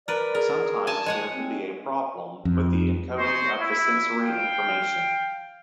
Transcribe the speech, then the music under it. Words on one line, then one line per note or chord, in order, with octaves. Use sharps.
Sometimes there can be a problem with the encoding of the sensory information.
A#4 B4 D5
G#4 A#4
G#5 A5
G#3 C#5 F#5
C4
F2
D#4 G#4 C5 C6 C#6
E4
F5 G5